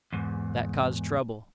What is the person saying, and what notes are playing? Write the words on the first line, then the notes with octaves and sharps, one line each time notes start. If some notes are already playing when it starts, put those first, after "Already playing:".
That caused trouble.
E2 G#2